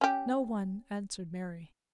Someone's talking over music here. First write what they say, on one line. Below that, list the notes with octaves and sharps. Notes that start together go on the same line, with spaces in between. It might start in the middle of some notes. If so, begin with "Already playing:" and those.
"No one!" answered Mary.
C#4 G4